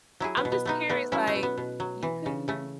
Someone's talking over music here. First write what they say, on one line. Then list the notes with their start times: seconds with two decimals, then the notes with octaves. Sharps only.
I'm just curious, like, "You couldn't,
0.20 F#3 E4 G#4
0.37 B3
0.45 B2
0.52 B3
0.66 A3 B3 D#4
0.89 A3 B3
1.12 F#3 C#4 E4
1.27 A3
1.36 B2
1.43 B3
1.57 B2
1.80 F#3
2.03 E3
2.26 C#3
2.48 C#3 A3